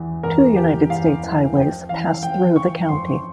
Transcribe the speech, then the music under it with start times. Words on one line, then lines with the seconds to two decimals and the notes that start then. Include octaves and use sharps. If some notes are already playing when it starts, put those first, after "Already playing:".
Two United States highways pass through the county.
Already playing: E2 E3
0.23 E2 A#4
0.56 E3 G4
0.90 E2 F5
1.24 E3
1.56 F2 G5
1.89 E3 F5
2.22 F2 G5
2.56 E3 C#6
2.89 F2 C6